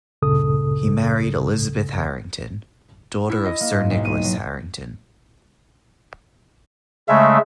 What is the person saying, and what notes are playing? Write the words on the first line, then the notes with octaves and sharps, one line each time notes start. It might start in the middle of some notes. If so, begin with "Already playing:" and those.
He married Elizabeth Harrington, daughter of Sir Nicholas Harrington.
C#2 G2 A#2 C#3 A4 D#6
E4
D#5
A#3
G#2
B1
D#7
F#3
C#3 G#3 A3 E5